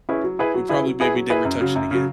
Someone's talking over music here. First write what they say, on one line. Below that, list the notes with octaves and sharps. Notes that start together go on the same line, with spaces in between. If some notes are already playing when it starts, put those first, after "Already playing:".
we probably maybe never touched it again
C#4 E4 G#4 B4
F#3
E4 G#4 B4
F#3
E4 G#4 B4
F#3
E4 G#4 B4
F#3
E4 G#4 B4
F#2
C#3 F#3
F#2
C#3 F#3